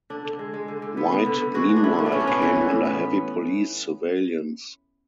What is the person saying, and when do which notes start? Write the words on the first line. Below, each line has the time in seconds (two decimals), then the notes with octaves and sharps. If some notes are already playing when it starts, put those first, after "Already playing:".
White meanwhile came under heavy police surveillance.
0.10 D3 D4
0.25 D3
0.39 G#3
0.54 G#3
0.68 D3
0.82 D3
0.97 B3
1.12 B3
1.26 D3
1.40 D3
1.54 G#3 F#4
1.69 G#3
1.76 D4
1.84 A2 E4
1.98 A2
2.06 D4
2.12 B3 C#4
2.20 D4
2.27 B3 C#4
2.42 E3
2.56 E3
2.70 A2
2.86 B3